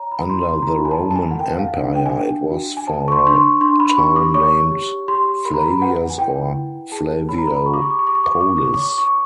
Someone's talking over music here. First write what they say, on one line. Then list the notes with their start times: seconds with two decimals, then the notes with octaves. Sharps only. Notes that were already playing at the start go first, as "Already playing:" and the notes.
Under the Roman Empire, it was for a time named Flavias or Flaviopolis.
Already playing: C#5 A#5
0.11 B5
0.30 E4 C6
0.49 C6
0.62 A#5
0.67 E4 B5
0.85 G#5
0.91 A5
1.04 A4
1.11 A5
1.16 G#5
1.31 F#5
1.40 A#4 G5
1.59 F5
1.77 D4 F#5
1.95 G5
2.06 G#5
2.14 D4 G5
2.51 F#4
2.77 G#5
2.87 C5 A5
3.08 C#6
3.12 C6
3.24 D4 C6
3.36 C#6
3.61 D4 C6
3.80 B5
3.98 G4 C#6
4.16 D6
4.34 C#5 C#6
4.72 G4
5.08 G4 C6
5.45 A#4 B5
5.53 A#5
5.61 B5
5.81 B4 F#5
6.10 G#5
6.18 E4 G5
6.55 E4
6.92 G#4 A5
7.29 C#5 B5
7.39 A#5
7.47 B5
7.66 G4 C#6
7.74 D6
7.82 C#6
7.90 D6
7.99 C#6
8.03 G4 D6
8.15 C#6
8.24 D6
8.32 C#6
8.40 A#4 D6
8.49 C#6
8.57 D6
8.65 C#6
8.73 D6
8.76 C#5
8.82 C#6
8.90 D6
8.98 C#6